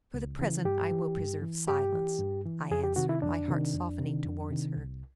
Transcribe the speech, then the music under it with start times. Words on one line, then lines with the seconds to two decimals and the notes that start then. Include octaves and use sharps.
"For the present I will preserve silence," I answered, my heart softening towards her.
0.14 C#2
0.39 C#3 E3
0.65 G2 G4
0.91 E3
1.17 G2
1.42 E3
1.68 G2 G4
1.94 E3
2.19 G2
2.46 E3
2.71 F2 G#4
2.84 G4
2.96 C3 D#3 F#4
3.09 E4
3.22 F2 D4
3.48 C3 D#3
3.74 F2
3.99 C3 D#3
4.25 F2
4.51 C3 D#3
4.76 C2